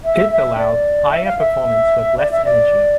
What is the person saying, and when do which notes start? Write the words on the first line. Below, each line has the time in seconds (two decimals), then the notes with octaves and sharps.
This allows higher performance with less energy.
0.04 E5
0.31 E5
0.58 D5
1.11 E5
1.25 F5
1.39 E5
2.18 D5
2.31 E5
2.45 D5